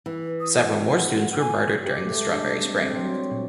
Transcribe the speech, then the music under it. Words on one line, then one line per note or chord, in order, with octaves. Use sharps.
Several more students were murdered during the strawberry spring.
E3
D#6
F#5
G#5
G4
A3
G#3
D4
G3
C4
C4
F#3
A#2